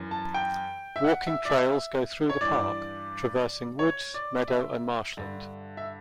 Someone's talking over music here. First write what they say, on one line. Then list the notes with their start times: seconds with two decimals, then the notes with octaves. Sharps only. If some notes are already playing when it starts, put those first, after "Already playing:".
Walking trails go through the park, traversing woods, meadow and marshland.
Already playing: F#2 E3
0.11 A5
0.34 G5
0.96 E5
1.04 F#5
1.27 E5
1.45 D5
1.50 E5
2.30 C#5
2.41 G2 E3 D5
3.79 C#5
4.14 D5
4.48 E5
5.17 G2 D3
5.77 E5